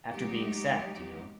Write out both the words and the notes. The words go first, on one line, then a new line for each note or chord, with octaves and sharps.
After being sacked, you know.
F#3 G#3 D#4 G4